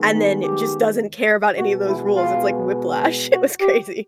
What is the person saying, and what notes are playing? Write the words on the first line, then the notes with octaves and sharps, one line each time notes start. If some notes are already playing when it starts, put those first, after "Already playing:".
and then just doesn't care about any of those rules. It's like whiplash. It was crazy.
Already playing: D#3 G#3 B3
D#4
G4
B2 G#3 B3 F#4
E4
F4
F#4
G4